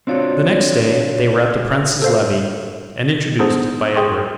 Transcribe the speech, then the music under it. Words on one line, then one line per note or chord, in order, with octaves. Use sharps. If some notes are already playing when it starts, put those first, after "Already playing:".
The next day they were at the prince's levee, and introduced by Edward.
C4 D4 F4 F#4 C#5 D5
A4 C5 F5
B3 D4 D#4 G#4 A4 C5
G#4 G5 C6 C#6